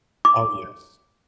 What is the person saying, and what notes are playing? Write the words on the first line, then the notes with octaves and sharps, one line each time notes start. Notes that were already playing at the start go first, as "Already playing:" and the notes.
Oh, yes.
D6